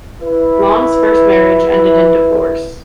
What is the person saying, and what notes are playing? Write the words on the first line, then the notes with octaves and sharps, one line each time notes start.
Long's first marriage ended in divorce.
E4 B4